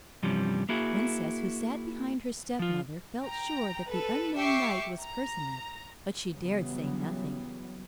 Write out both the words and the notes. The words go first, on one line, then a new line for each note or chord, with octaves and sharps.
The princess, who sat behind her stepmother, felt sure that the unknown knight was Percinet; but she dared say nothing.
G2 C3 E3 F3 G3 C#4
A#3 E4 F#4 G#4
F3 F4
G5 A#5
A4 B4
G4 E5 C#6 D6 C7
A#5
C#3 E3 F#3 G3 B3